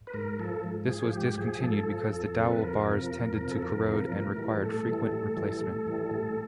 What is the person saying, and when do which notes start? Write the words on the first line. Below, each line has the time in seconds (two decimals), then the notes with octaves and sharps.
This was discontinued because the dowel bars tended to corrode and required frequent replacement.
0.07 B4
0.14 G#2 A#4
0.39 F3 A4
0.64 G#2
0.89 F3 G#4
1.13 G#2 G4
1.38 F3 G#4
1.63 G#2 A4
1.88 F3
2.13 F2
2.38 C3 F3
2.51 B4
2.62 F2 A#4
2.87 C3 F3
3.12 F2
3.38 C3 F3
3.51 A4
3.62 F2 A#4
3.87 C3 F3
4.13 A2
4.36 E3 G3
4.62 A2 A4
4.87 E3 G3
5.11 A2
5.36 E3 G3
5.61 A2
5.86 E3 G3
6.11 A2